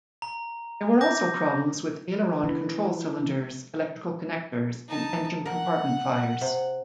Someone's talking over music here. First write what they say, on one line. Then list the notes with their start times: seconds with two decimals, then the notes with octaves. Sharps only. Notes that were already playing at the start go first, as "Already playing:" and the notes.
There were also problems with aileron control cylinders, electrical connectors, and engine compartment fires.
0.22 A#5
1.01 D6 G6 A#6
2.44 E3
4.88 D#4 A5
5.46 A#4 F#5
6.41 C3